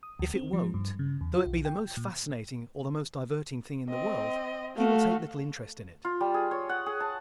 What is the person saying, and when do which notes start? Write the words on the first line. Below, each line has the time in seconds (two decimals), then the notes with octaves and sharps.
If it won't, though it be the most fascinating or the most diverting thing in the world, he will take little interest in it.
0.03 D#6
0.19 D2
0.35 C4
0.53 F3
0.74 G2
0.99 C#3
1.21 E2
1.34 F4
1.46 B1
1.65 G5
1.97 A#2
3.90 C4 D#5
4.77 A3 F#4 F5
6.05 F4
6.21 G3
6.34 G#4
6.51 C#5
6.69 F#5
6.86 G#4
7.00 A5